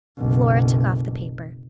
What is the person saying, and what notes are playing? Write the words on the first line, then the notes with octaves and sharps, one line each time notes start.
Flora took off the paper.
F#1 B1